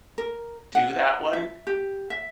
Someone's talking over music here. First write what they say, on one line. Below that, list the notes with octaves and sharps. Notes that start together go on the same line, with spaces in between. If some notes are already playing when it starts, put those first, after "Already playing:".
do that one,
A#4
F#5
E5
G4
E5